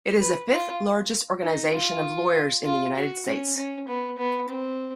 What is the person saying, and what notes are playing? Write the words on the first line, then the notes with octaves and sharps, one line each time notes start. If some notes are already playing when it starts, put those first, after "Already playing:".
It is the fifth largest organization of lawyers in the United States.
B4
F4
D#4
F4
F4
F#4
C#4
C#4
B3
B3
C4